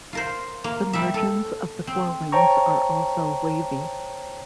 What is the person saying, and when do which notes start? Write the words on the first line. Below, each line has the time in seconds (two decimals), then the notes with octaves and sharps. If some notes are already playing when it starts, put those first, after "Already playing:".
The margins of the forewings are also wavy.
0.13 F4 A#4 C5
0.64 A#3
0.93 G3 E5
1.14 A4
1.87 C4
2.32 C5 C#5 G5 A5 A#5 C#6